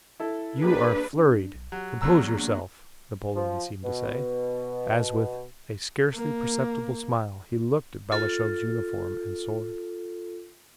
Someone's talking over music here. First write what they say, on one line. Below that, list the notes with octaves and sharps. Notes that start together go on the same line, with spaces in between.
"You are flurried--compose yourself!" Napoleon seemed to say, as with a scarcely perceptible smile he looked at Balashev's uniform and sword.
E4 A4
A#3 D4 G4 G#4 B4
D4
B1
F#3 G4
E2 F#3 F#5 A#5 E6
A#3 D4
F3
B2
A#3
F4 A4